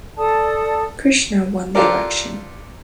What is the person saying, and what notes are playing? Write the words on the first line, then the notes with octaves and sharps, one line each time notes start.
Krishna won the election.
A4 D5 A5 D#6
D4 F4 G4 A4 A#4 D5